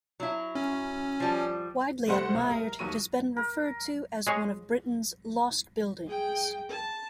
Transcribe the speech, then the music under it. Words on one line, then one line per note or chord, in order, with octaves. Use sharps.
Widely admired, it has been referred to as one of Britain's 'lost buildings'.
F#3 E4
C#4
F3 G3
F1 G3 A3 C5 F#5 C6
C2
A#4
D#2 F#3 C#6 D#7
A#4
G#3 G#4 C#5
G#4 G5
A5